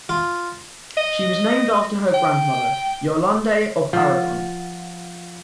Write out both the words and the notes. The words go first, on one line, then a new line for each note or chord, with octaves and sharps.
She was named after her grandmother, Yolande of Aragon.
F4
D#5
G5
F3 F5 F#5